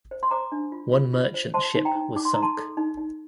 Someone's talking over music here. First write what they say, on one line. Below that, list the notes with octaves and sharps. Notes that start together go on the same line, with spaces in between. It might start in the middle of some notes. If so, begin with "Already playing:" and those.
One merchant ship was sunk.
C5
C6
C5 A#5 D6
D4
F4
F4
F4
C5
C5 A5 C6
D#4
G5 A#5
D#4
D#4 D6
C6
D#4 A#5
A5 C6
A4
D#4
D#4